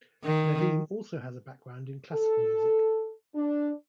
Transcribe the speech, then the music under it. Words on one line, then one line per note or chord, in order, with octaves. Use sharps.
Nadeem also has a background in classical music.
D#3
A4
D4